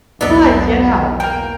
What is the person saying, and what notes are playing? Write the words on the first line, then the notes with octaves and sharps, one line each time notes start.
like, "Get out."
B1 E2 B3 D4 D#4 A4 D5
A#3 A#4 G5